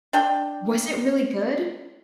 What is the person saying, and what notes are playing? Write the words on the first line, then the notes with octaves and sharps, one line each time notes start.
Was it really good?
D4 G5